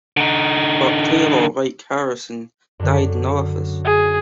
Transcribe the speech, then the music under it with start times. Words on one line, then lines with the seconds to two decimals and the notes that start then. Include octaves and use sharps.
But Taylor, like Harrison, died in office.
0.17 D3 D#4
2.79 F#2 D3
3.85 G#4